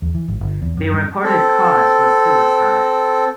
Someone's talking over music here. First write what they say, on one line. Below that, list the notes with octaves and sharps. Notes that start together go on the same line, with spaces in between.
The reported cause was suicide.
E2
E3
G#1
G1
E2
F#2
G2
C4 A4